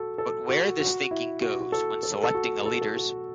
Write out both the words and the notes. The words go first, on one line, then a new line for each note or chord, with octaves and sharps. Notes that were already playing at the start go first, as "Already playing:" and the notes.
But where this thinking goes when selecting the leaders.
Already playing: F#4 A4
A4
F#4
F#4
E4
F#4
F#4
A4
A4
A4
F#4
A4
F#4
A4
F#4